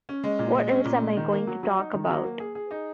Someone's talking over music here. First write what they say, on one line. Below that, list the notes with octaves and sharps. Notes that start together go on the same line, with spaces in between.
What else am I going to talk about?
C#4
G#3
A#2
G#3
C#4
A#2
G#3
D#3
A#3
F#3
F#3
D#4
D#3
F#3
A#3
G#4
G#4
D#4